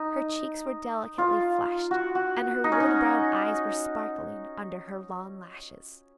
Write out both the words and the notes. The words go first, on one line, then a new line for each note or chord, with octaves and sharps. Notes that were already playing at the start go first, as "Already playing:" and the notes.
Her cheeks were delicately flushed, and her wood-brown eyes were sparkling under her long lashes.
Already playing: D#4
F4
F#4
F#4
D#4
C#4
D#4